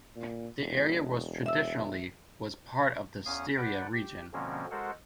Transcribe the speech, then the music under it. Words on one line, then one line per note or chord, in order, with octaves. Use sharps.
The area was traditionally was part of the Styria region.
A#2
E1
E5 E6
E2 C#4 F5 D#6
B4 D5 F#5 G5
G4
B2 D3 F3 A#3 C4 C#4
G#3 F#4 A4 A#4 C5 F#5